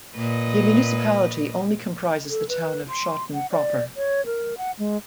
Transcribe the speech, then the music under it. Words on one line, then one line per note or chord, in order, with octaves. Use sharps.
The municipality only comprises the town of Schoten proper.
A#2 B4 D#5
A4
B4
C6
F#5
D5
C#5
A#4
F#5
G#3